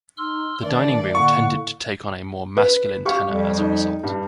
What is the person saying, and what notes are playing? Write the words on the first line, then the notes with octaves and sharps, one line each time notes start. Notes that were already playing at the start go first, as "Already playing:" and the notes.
The dining room tended to take on a more masculine tenor as a result.
D#4 C6 E6 F6
D#3 A3 D4 D5
A2 D3 A#3 F#5 C#6
B4
G4 F5 C#6
F2 F3 G3
D#4
G2 G3